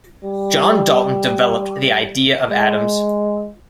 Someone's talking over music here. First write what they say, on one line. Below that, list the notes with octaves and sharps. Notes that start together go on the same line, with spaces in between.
John Dalton developed the idea of atoms.
G3
G#3